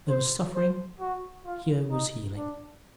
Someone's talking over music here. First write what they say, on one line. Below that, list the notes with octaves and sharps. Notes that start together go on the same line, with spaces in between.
There was suffering; here was healing.
C5
C5
F#4
F4
D#4
D4